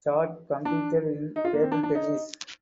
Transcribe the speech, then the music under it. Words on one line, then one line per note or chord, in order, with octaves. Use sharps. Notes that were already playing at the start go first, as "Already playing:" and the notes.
Chad competed in table tennis.
D4
D#4
F4
A#3
C4
D4
D4
D#4